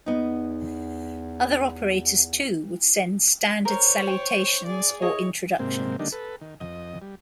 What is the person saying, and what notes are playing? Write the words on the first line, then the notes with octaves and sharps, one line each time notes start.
Other operators too would send standard salutations or introductions.
E2 B3 D#4
A#4 C5 C#5
G5
G#4 D5
E4 G#4 C#5 D#5
G#2 C3 A#3 C4
D3 D#3 G3 A#3 D4 D#4
A4 B4
D#3
F2 D#5
G3